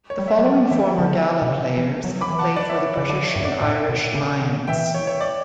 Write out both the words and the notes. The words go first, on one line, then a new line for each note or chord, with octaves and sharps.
The following former Gala players have played for the British and Irish Lions.
C#5
G3
C#5 E5
G3
F#3 D5 F#5
E3 E5 G5
D3 F#5 A5
B2
C#3
E3
F#3
B5 D6
E3
F#5 A5
D5 F#5
C#5 E5
D5
C#3 D5
D3 D5
C#5 E5
G2
D5 F#5
A2 E5 G5
B2
C#3
D3
E3 E5 G5
C#5
C#5
D5